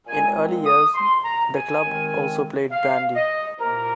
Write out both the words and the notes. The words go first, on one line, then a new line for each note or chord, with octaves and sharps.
In early years, the club also played bandy.
A#2 G#3 C4 D#4 G#5
D#6
C6
A#5
G#5
D#2 D#3 G#3 C4
F5
D#5
C2 A#2 A#3 A#4